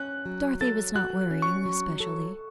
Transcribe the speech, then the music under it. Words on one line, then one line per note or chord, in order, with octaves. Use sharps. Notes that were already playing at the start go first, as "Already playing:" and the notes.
Dorothy was not worrying, especially.
Already playing: C#4 F#6
F#3
A4 A6
F#4 F#6
C#4
C#6
F#3
A4